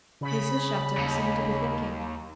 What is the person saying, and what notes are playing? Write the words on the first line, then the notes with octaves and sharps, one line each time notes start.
Mrs. Shattuck seemed to be thinking.
C#3 B5
D#2